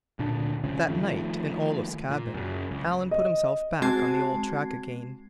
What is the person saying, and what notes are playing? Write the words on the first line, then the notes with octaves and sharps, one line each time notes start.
That night, in Olaf's cabin, Alan put himself back on the old track again.
D2 A#2 D3 D4
C#2 C#3 F3 C#4
D#3 F3 A3
A#2
F#2 C#3
C#2
D#5
G#3 C4 F#4 A5 G#6 C7